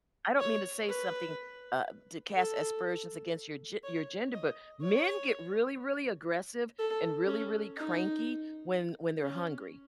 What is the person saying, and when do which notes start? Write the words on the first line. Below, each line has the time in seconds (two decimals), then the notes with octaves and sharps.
I don't mean to say something, uh, to cast aspersions against your ge your gender, but men get really, really aggressive and really, really cranky when when they're hungry.
0.40 C#5
0.88 B4
2.36 A4
3.83 C#5
4.33 D#5
4.82 C#5
6.79 A4
7.27 C#4
7.76 D#4
9.23 C#4